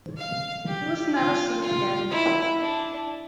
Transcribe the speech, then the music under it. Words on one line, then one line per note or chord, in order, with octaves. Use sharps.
He was never seen again.
F5
G4
F4
F4
E4
D4